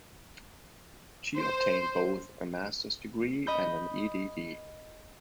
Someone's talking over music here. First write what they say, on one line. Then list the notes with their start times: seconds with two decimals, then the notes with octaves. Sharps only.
She obtained both a master's degree and an Ed.D.
1.36 C5
3.47 D#5 B5 G6